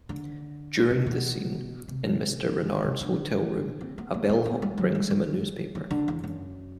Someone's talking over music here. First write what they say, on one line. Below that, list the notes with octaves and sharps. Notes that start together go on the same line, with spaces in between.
During the scene in Mr. Renard's hotel room, a bellhop brings him a newspaper.
D3
C3
B2
C3
C3
D3
C4
B3
B3
C4
B3
G3
F#3
G3
G3
E3
D3
E2
F#2